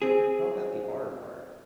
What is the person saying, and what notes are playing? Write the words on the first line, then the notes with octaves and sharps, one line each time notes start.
How about the R part?
C4 G#4